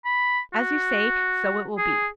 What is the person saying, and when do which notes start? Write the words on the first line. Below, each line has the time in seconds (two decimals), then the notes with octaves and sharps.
As you say, so it will be.
0.05 B5
0.54 F#4
1.77 G#4